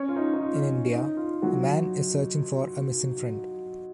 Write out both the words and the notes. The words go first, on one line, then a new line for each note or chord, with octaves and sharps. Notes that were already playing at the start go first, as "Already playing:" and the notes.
In India, a man is searching for a missing friend.
Already playing: C#4 C#5
F4
D#4
D#4
F4
D#4
F4
F#3 F#4